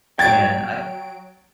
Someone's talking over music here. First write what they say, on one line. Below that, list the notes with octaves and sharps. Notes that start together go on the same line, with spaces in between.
And I
F#3 G5 G#6 A6 D7